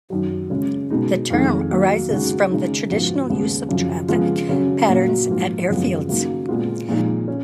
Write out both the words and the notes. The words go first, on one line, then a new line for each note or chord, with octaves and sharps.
The term arises from the traditional use of traffic patterns at airfields.
F#2 D#3 F#3
C#3 G#3 C#4
B2 G#3 D#4
F2 D#3 G#3
D#3 F#3 A#3
C#3 G#3 D#4 F#4
C#3 G#3 D#4
G#2 F3 B3 F#4
D#2 C#3 G#3 B3
F#2 C#3 F3
C#3 F3 G#3 B3 F4
C#3 F#3 C#4
A#2 F#3 A#3
G#2 F3 A#3 F4
F#2 C#3 F3 G#3 B3
C#3 F#3 A#3 D#4
A#2 G#3 B3 F4
A#2 F3 G#3 D#4
C#4